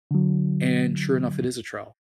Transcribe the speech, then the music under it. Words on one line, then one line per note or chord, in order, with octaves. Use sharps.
and sure enough, it is a trail.
D3 F#3